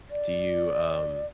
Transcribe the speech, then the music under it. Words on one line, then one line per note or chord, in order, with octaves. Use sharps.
Do you, um,
D5